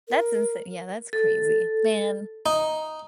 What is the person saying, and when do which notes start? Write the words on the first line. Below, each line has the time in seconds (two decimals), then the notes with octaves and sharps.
That's insa yeah, that's crazy, man.
0.09 A#4
1.13 A4
2.46 D#4